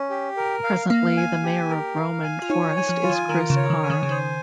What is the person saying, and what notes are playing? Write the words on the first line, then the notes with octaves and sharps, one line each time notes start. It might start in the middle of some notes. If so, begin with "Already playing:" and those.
Presently, the mayor of Roman Forest is Chris Parr.
Already playing: C#4
G4
A#4
F5
A#3 F5
G#5
G4
A#4
F5
G#5
F4
D#4 C#5
G#5
F3
F4
D#3
D#3 A#4
C#3
C#5
D#3
G#5
D#3
C#3
D#3 C5